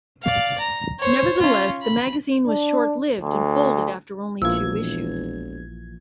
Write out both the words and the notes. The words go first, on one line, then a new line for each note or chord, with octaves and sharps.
Nevertheless, the magazine was short-lived and folded after only two issues.
D5 F5
A#5
C5 C#5
C#4 F4
B5
D4
D2
E1 A#1 E3 F3 A#3 F4 E6 G#6